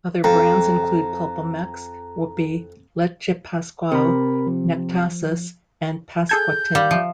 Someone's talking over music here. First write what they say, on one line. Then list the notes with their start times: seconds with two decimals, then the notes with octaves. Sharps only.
Other brands include PulpaMex, Woopy, Leche Pascual, Nectasis and Pascuatin.
0.24 F2 A#5
3.92 C3 A#4 B5
4.47 F3
6.29 G#4 A4 G6 G#6
6.75 G3 F5
6.91 F3 E5